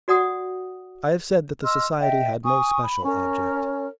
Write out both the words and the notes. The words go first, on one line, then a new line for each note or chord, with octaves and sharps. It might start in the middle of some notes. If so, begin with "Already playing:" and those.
I have said that the society had no special object.
F#4 D5 F#5 D#6
D#5 C6 E6 F6
D#5 E5 G5
G#5 C#6 D#6
B5
C#4 A#4 C#5